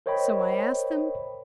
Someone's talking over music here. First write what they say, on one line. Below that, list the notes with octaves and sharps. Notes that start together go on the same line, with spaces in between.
So I asked them.
A#4 C5 C#5 D#5 G5 B5